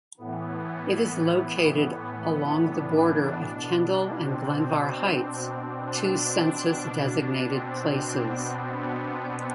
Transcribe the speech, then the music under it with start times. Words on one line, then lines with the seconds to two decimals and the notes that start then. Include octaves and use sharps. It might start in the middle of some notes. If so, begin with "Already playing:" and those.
It is located along the border of Kendall and Glenvar Heights, two census-designated places.
0.17 A2 E3 B3
1.80 B3
2.60 D4
3.42 B2
4.22 C4
5.85 D4
6.66 B2
7.47 C4
8.28 B3
9.08 B3